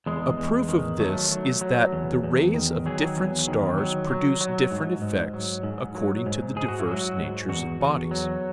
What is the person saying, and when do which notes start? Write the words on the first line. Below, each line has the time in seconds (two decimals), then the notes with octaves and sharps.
A proof of this is that the rays of different stars produce different effects according to the diverse natures of bodies.
0.06 E2 G#3
0.39 E2
0.68 D#3
1.00 F#3 A3
1.31 F#3
1.61 F#3
1.93 E2
2.23 E2
2.54 D#3
2.86 F#3 G#4
3.17 E2
3.48 D#3
3.78 F#3
4.10 F#3
4.41 F#3
4.71 G#2
5.02 G#2
5.34 F#3
5.63 G#2
5.95 F#3
6.26 G#2
6.56 G#2 G#4
6.68 F#4
6.79 E4
6.87 F#3 F#4
7.18 G#2
7.49 E2 F#4
7.81 E2
8.11 F#3